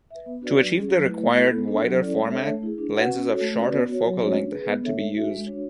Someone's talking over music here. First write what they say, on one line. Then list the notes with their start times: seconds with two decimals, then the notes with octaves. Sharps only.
To achieve the required wider format, lenses of shorter focal-length had to be used.
0.11 B4 E5
0.26 B3
0.42 D4 F#4 B4 D5
0.57 F#3
0.73 C#4 G#4
0.89 F#3
1.05 A3 E4 B4
1.21 A3
1.36 E4 A4
1.51 B3
1.68 D4 A4
1.83 F#3
2.00 C#4 E4 A4 D5
2.16 G#3
2.31 D4 A4 C#5 E5
2.47 A3
2.63 E4 G#4
2.78 D4
2.94 F#4 B4 F#5
3.10 C#4
3.25 F#4 A4 C#5
3.41 A3
3.57 C#4 F#4 B4 D5
3.73 B3
3.89 F#4 C#5
4.05 F#3
4.20 A3 C#4 F#4 C#5
4.36 D4
4.52 G#4 B4
4.68 B3
4.83 D4 A4 C#5 E5
4.99 A3
5.15 D4 F#4 A4 E5
5.31 G#3
5.46 D4 F#4 C#5